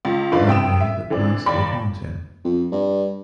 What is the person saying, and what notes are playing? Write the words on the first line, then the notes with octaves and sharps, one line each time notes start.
One day the past will haunt him.
C#2
F#1 D4 E4 B4 F5
C3 G5 D#6 E7
E5
D3 E3 C4 D4
D#2 D5 B5
F2
G2